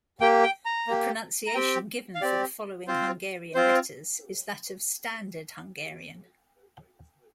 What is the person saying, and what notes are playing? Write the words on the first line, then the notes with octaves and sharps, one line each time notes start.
The pronunciation given for the following Hungarian letters is that of "standard Hungarian".
A#3 G4 G5
G5
A#5
A#3 G4
A#5
C4 G4 G5
F5
C4 G4 D5
C4 F4 C5
C4 F4 C5